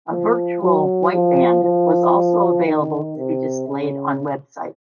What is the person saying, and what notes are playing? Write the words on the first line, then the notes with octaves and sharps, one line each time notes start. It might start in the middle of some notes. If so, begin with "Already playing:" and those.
A "virtual" white band was also available to be displayed on websites.
F3
F#3
F3
F3
D#3
C3
C#3